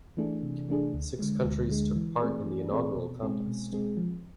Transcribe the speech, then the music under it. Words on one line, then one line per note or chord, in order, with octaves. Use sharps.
Six countries took part in the inaugural contest.
E3 A3 D4 G#4
C3
E3 A3 D4 G#4
D2
D3 G#3
D2
D3 G#3
E3
A3 C4 G#4 D5
E3
A3 C4 G#4 D5
B2
G#3 C4 G#4
B2
G#3 C4 G#4
F3